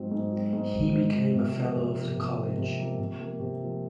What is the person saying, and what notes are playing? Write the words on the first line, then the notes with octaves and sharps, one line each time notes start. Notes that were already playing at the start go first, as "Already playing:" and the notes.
He became a fellow of the College.
Already playing: G#2 F#3 C4
G#2
F#3 C4
G#2
C4
F#3
G#2
F#3 C4
C3
F3 A#3
C3
F3 A#3
C3
F3 A#3
C3
F3 A#3
C3
F3 A#3
C3
F3 A#3